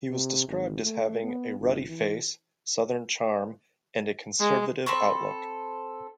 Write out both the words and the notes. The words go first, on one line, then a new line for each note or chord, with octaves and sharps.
He was described as having "a ruddy face, southern charm and a conservative outlook".
C3
G#1
A3
B3
G1
E3
G#3
C4 A4 B5 C#6